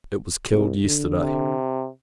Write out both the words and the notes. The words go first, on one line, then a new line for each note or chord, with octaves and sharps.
It was killed yesterday.
C2
D3
C3